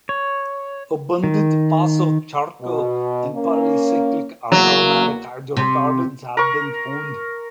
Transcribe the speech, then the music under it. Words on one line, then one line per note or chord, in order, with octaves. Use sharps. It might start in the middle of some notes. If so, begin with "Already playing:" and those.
Abundant fossil charcoal and polycyclic aromatic hydrocarbons have been found.
C#5
D#3
B2
A#3 C#4
E2 F#3 A#3
C3
A#4 C#6